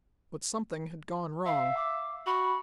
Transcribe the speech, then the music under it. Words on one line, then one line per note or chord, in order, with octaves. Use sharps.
But something had gone wrong.
E5 F5
D6
F#4 B5